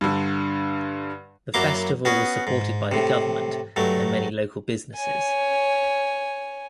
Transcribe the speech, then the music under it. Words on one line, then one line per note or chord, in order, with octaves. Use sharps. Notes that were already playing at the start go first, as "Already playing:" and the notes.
The festival was supported by the government and many local businesses.
G2 D3
F#2 F#3 A#3 E4 C6 D6
B3 C#4 F#4 G#4
G#2
A2 C3
G2 F#3 A3
C#5 G#5